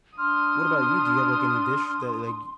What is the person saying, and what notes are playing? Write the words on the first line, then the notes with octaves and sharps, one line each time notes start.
What about you? Do you have, like, any dish that, like,
D4 C6 D#6 F6